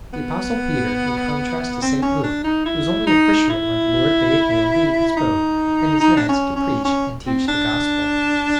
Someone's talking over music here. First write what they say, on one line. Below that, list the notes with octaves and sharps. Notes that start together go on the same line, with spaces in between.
The Apostle Peter, in contrast to St. Luke, was only a fisherman when the Lord bade him leave his boat and his nets to preach and teach the Gospel.
B3
C4
C#4
D4
D#4
E4
D#4
E4
D#4
D#4
D4
C#4
C#4
C#4
C4
D4